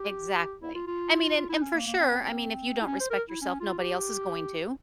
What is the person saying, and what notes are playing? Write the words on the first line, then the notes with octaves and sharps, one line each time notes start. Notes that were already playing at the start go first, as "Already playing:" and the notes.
Exactly, I mean, and and for sure, I mean, if you don't respect yourself, nobody else is going to.
Already playing: G4
E4
F4
F4
F4
E4
C#4
A#3
A#3
C4
C4
E4
C#4
C5
A#4
E4
C#4
F4
G4